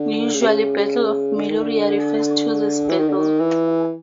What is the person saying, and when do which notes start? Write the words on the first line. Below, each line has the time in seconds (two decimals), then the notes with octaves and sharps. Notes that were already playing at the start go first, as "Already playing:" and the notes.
Usually, "Battle of Meloria" refers to this battle.
Already playing: D3
0.34 C#3
0.41 C3
0.48 C#3
1.36 D3
1.49 D#3
1.62 D3
2.89 E3
2.99 D#3
3.08 D3
3.17 D#3
3.40 E3